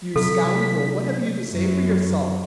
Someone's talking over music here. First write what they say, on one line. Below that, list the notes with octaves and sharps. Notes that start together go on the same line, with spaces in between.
You scoundrel, what have you to say for yourself?
C3 F#3 A4 B6
F#2 F#3